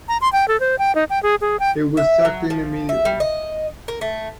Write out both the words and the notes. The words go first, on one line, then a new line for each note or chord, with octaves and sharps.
It was sucked in immediately.
A#5
C6
G5
A4
C5
G5
D#4
G5
G#4
G#4
G5
E5
F#3
F3
E5
G3
D#5
A#4
A3